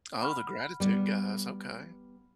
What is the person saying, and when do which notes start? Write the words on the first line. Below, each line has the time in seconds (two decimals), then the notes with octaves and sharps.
Oh, the gratitude guys. Okay.
0.21 F#5 B5 F6
0.80 G3 B3